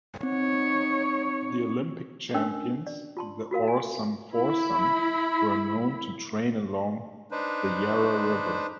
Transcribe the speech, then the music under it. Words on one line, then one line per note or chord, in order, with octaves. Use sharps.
The Olympic champions, the Oarsome Foursome, were known to train along the Yarra river.
C4 D#4 C#5
C#4 D4 A#4 G5 E6
D5
F4 A5 C6
F4 F#4 A#4 F5
G#5
E4 B5
D4 D#4 B4 C5